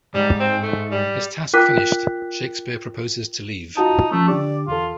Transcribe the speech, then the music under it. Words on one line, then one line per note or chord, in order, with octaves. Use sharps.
His task finished, Shakespeare proposes to leave.
G#2 G3
C4
A3
G3
F4 A#4 G5 D6 F#6 B6
D#4 F4 F#4 A5
F3 A3 C#4
D3 D4 G4 D5
E2 F4 A4